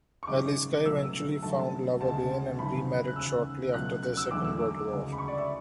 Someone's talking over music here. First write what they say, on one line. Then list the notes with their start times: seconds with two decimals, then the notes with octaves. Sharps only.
Eliska eventually found love again and remarried shortly after the Second World War.
0.23 C#6
0.27 G#1 F#2 C#3 G#3 D6
0.85 C#2 B2 F#3 A3 E6
1.43 F#2 D3 F#3 A3 A5
2.01 D2 C#3 G#3 A5
2.59 G#1 F#2 C#3 E3 B5
3.07 F#6
3.16 E1 D2 C#3 E6
3.74 C#2 B2 F#3 A3 F#6
4.03 F#6
4.17 E6
4.31 E2 D3 F#3 A3 D6
4.45 E6
4.60 D6
4.90 D2 C#3 G#3
5.12 B5
5.18 C#6
5.28 D5
5.37 E5